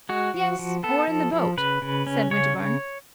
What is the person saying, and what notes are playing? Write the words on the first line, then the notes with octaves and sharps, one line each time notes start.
"Yes, or in the boat," said Winterbourne.
G#3 F#4
F3
F3
B3 A4
F3
F3
C#3 B4
C#3
C#4
C#3 C#5
C#3